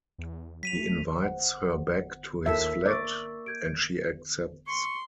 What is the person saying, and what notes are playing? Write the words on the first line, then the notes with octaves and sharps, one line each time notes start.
He invites her back to his flat and she accepts.
E2
F#3 B6 D#7 F7
A3
C5 F#5
D#2 F4 A4 A#4 E5
A#3 D5 C#6 E6
G6 G#6 D7
C6 C#6